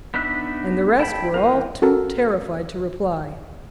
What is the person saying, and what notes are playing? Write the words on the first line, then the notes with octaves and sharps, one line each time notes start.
And the rest were all too terrified to reply.
B3 D4 D#4 E5 F#6
E4 G5 A5 B5
E3 C4 A#4
F#4 A4 A#4